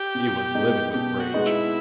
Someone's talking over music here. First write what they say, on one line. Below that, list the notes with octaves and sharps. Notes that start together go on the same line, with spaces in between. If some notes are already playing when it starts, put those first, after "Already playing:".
He was livid with rage.
Already playing: G4
B2
G#3 B3 D#4
B2 G4
F#4
G#3 B3 D#4
E4